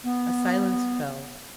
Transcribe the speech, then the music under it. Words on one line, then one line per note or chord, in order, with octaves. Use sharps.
A silence fell.
B3